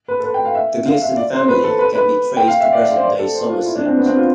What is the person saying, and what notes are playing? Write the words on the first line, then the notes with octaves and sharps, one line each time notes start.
The Glisson family can be traced to present-day Somerset.
B4
A4
B4
G5
F5
E5
F5
E5
D5
C5
B4
A4
B4
B4
G5
F5
E5
D5
F5
C5
D5
A4
C5
F4
E4
D4
C4
B3
C4
F4